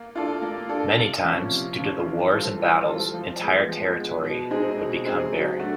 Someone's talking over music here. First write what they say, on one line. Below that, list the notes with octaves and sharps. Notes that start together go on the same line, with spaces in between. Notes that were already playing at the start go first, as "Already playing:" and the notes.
Many times due to the wars and battles, entire territory would become barren.
Already playing: A#3
D4 F4 A4 D5
A#3
D4 F4 A4 D5
C3
F3 A#3 C#4
C3
F3 A#3 C#4
E3
G3 C4 F4 A4
E3
G3 C4 F4 A4
F3
G#3 B3
F3
G#3 B3
B2
G#3 C4 D#4 G#4
B2
G#3 C4 D#4 G#4
F#3
A3 D4 F#4